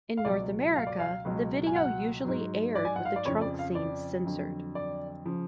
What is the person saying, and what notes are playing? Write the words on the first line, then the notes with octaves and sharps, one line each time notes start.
In North America, the video usually aired with the trunk scene censored.
F5
C#2 B2 F#3 D5
F5
D5
F5
C#2 B2 F#3
G#5
F#5
G#2 F#3
D5
G#5
F#5
F5
D5
F2 C#3 F3 C#5
D5
F5
D5
F2 D3 F#3
D5
C#3 F3